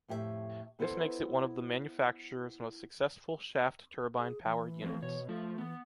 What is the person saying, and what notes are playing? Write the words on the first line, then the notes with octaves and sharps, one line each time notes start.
This makes it one of the manufacturer's most successful shaft turbine power units.
F2 A2 G4 G#4 E5
B3 E4 A4 B4 C5
G#4
E3
F3 A3 C4
B2 C#5
F3 A3 F4
E3 B3